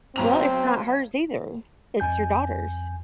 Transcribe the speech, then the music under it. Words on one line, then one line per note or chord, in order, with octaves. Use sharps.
Well, it's not hers either. It's your daughter's.
B1 C4 A#5 F7
F2 G#5 G6